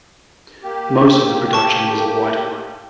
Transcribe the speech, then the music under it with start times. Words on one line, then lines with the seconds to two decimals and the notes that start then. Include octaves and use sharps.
Most of the production was of white wine.
0.63 A#3 G4
1.53 A5 C#6